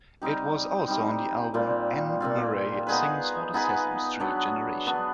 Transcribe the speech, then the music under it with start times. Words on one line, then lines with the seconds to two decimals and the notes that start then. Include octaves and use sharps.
It was also on the album "Anne Murray Sings for the Sesame Street Generation".
0.22 G3 C4 D#4 G4
0.88 G3 C4 D#4 G4
1.54 A#2 G3 C4 F4
2.20 A#2 G3 C4 F4
2.87 B3 D#4 G#4 B4
3.54 B3 D#4 G#4 B4
4.20 F#3 B3 D4
4.86 F#3 B3 D4